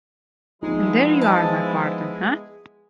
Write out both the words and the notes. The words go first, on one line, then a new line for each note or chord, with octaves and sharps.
And there you are, my partner, eh?
F3 G#3 B3 D#4 E4
A5